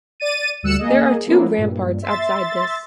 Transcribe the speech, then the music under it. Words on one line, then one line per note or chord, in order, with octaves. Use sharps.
There are two ramparts outside this.
D5 A6 D#7
D2 G3 E6 F#6 C#7 E7
A#3 G#4 D#5
F3 A#3 B3 C#4 E4
G2 A#2
E5 C6 A6